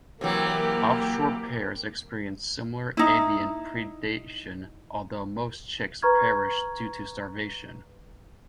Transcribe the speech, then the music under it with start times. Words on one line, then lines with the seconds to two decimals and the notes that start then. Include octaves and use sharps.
Off shore pairs experience similar avian predation although most chicks perish due to starvation.
0.21 C3 E3 F#3 A#3 G4
2.97 D#4 E4
6.02 B4 A#5 B5 C#6 F6 G#6